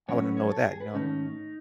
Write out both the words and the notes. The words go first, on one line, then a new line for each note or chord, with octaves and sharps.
I wanna know that, you know, and
G#2 F#3 C#4 C#5
B4
C#5
A4
G#4
B4
G#2 D#3 A3 C#4 D#4